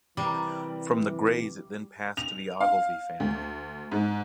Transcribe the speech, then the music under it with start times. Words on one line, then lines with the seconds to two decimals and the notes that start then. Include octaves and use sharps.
From the Grays it then passed to the Ogilvie family.
0.17 C3 E3 G3 C4 A#4 A#5
2.17 F7
2.60 F5
3.20 D2
3.92 G#2